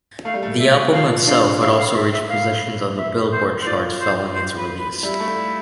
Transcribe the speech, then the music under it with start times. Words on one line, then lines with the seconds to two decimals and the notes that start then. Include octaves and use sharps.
The album itself would also reach positions on the "Billboard" charts following its release.
0.25 A3 F5
0.34 G3
0.43 A3
0.59 E5
0.93 F3 F5
1.27 D4 F5
1.61 E4 F5
1.78 F5
1.96 E5
2.13 E5
2.30 F5
2.98 E5
3.32 C5
3.62 C5
3.67 F4 D5
4.00 C5
4.35 C5
4.58 B4
4.80 B4
5.03 G3 E4
5.20 A3